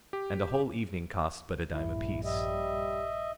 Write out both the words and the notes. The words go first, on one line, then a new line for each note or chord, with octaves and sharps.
And a whole evening costs but a dime apiece.
G4
A#1 G2 E4
G3 D#5 E5